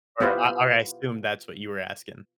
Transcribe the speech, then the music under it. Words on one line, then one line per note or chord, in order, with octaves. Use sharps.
Or I or I assume that's what you were asking.
B3 E4 F4 G4 B4 C5